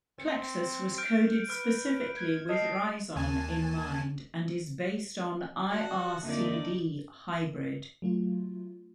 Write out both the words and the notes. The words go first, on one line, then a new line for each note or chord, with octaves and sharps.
Plexus was coded specifically with Rizon in mind and is based on ircd-hybrid.
C4 C#7
F6 G6 D7
B4 F6
G#6
A4 D#5 D#6 F6 C7
D#2 G#5 A5
F#4 A4 D5 F#5
F2 D3 A#3 D#4 D5 E5
F#3 A3 F4